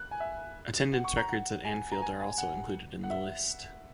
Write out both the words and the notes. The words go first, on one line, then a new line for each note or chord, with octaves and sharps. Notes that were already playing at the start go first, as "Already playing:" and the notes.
Attendance records at Anfield are also included in the list.
Already playing: F#6
G#5
E5
F#5
C#6
A#5
F#5
G#5
A#5
G#5
G#5
G#5
F#5
F#5
E5